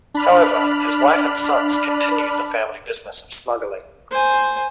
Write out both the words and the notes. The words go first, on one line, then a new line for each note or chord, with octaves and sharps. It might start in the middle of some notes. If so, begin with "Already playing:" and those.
However, his wife and sons continued the family business of smuggling.
D4 B5 F6
C5 G#5